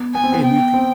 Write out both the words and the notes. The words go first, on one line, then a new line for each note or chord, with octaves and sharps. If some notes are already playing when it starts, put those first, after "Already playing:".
And you could
Already playing: B3
B3 G#5
C4
B3
G5
C4